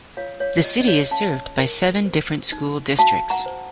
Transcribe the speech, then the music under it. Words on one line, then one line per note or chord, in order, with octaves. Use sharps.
The city is served by seven different school districts.
F4 C#5 F5
C#5 F5
F4 D#5
D#5
C#5 F5
C#4 F5 A5
A#4
C5
D#4
F#4 F5 A5
F#5 A#5
C5